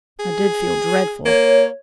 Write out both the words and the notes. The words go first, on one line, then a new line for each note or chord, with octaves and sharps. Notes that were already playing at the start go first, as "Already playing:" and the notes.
I did feel dreadful.
G#4
A#3 C#5